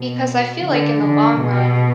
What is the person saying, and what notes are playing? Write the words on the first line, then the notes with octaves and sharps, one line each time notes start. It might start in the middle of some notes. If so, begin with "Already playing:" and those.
because I feel like in the long run,
Already playing: B2
D3
D3
B2